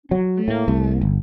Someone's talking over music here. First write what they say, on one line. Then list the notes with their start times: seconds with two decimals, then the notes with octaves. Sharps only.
Oh, no.
0.11 F#3
0.48 A2
0.68 C2
1.01 G1